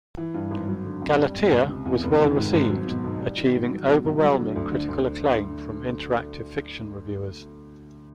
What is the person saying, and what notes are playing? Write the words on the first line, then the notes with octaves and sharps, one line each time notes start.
"Galatea" was well received, achieving overwhelming critical acclaim from interactive fiction reviewers.
E3
G2
G#1
F#3
D3
F2
G3
B2
C#2
C3
E2
F1
D#3
G#2
G#1
F#3
B2
B1
G3
D#3
G#2
F#3
B2
C2
F#3
D3
D2
D3
D2